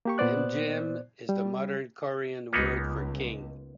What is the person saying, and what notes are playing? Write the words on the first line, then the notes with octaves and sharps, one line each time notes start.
"Imgeum" is the modern Korean word for "King".
A#3 G4 C#6
A#2 B3 C5 D5 F#6
G3
C#2 A#3 B3 D#4